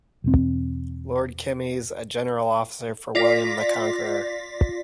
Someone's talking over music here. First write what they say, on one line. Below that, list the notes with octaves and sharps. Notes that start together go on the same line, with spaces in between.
Lord Kemys, a general officer for William the Conqueror.
E1 C4
F4 D5 A#6 B6